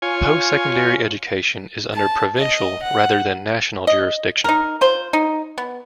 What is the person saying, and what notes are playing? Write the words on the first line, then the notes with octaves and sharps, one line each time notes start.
Post-secondary education is under provincial, rather than national, jurisdiction.
F4 C#5 G#5
A5
D#5
F#5
D#5
D#4 A#4
F4 C5
D#4
B3